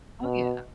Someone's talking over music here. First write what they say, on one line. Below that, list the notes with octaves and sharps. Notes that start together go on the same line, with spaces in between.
Oh, yeah.
B2